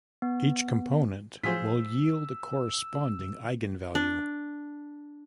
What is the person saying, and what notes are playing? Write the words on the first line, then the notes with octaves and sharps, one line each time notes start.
Each component will yield a corresponding eigenvalue.
B3
A2 F3 F#3 F4 G#4 C5 E6 B6
D4